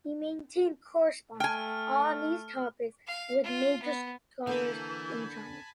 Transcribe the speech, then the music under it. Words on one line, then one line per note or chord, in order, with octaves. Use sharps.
He maintained correspondence on these topics with major scholars in China.
A3 G5 G#5 F6
F5
F4
B3
D3 E3 A#3 B3 G#5 A5 B5 G6